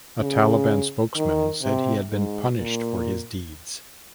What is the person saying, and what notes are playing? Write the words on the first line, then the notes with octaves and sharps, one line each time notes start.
A Taliban spokesman said he had been "punished for his deeds".
C#3
D#3
C3
G#2
A#2